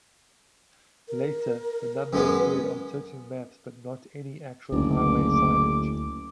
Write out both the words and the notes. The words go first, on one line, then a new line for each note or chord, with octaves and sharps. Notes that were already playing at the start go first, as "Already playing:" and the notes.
Later, the number appeared on certain maps but not any actual highway signage.
A#4
F#2 G#3 B3 A#4
F#1 D2 D6